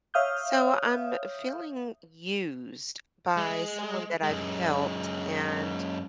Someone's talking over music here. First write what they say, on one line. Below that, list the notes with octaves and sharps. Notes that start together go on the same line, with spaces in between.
So, I'm feeling used by someone that I've helped, and
C#5 E5 F5 D#6 F6 G6
G#3
F#2 G#3